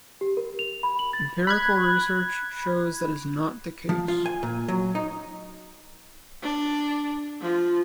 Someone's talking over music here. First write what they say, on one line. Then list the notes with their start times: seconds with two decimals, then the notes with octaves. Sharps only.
Empirical research shows that is not the case.
0.21 G4
0.37 A#4
0.59 F7
0.83 B5
0.99 F#7
1.13 A6
1.47 B5 F#6 G#6
3.89 F3
4.08 F4
4.25 G#5
4.43 A#2
4.68 F#3
4.95 D#4
6.43 D4
7.41 F3 F4